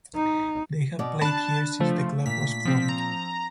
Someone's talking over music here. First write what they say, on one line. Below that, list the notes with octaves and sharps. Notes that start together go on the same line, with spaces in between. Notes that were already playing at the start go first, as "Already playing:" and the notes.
They have played here since the club was formed.
D#4
B2 D5
D4 A5 B5 F#6
F3 A3
A#2 B6
F3 C4
A#5